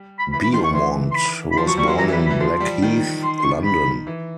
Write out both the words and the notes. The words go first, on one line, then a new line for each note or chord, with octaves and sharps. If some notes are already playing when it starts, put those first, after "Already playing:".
Beaumont was born in Blackheath, London.
Already playing: G3
B5
E3 B5
B5
D#3 C6
C#6
E3 C6
C6
B5
B5
F3 C6
F#3 C#6
G3 C#6
F#3 C6
E3 A#5
E3
B5
E3
B5
E3
F3 C6
G3
D#3
C6
C6
C#6
B5
E3